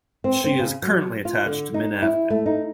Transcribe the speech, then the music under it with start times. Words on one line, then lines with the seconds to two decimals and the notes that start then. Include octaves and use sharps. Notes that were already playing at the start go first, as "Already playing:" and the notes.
She is currently attached to Mint Avenue.
0.24 C4
0.44 C4
0.59 C#3
0.82 F#3
1.25 F4
1.46 D3
1.74 D#4
2.02 E4
2.30 A3
2.46 D#4